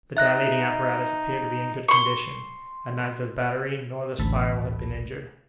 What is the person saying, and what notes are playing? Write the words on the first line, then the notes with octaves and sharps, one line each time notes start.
The dilating apparatus appeared to be in good condition, and neither the battery nor the spiral had been injured.
D#4 E5 F#6 A#6
C6 C#6
A1 D2 A4 B5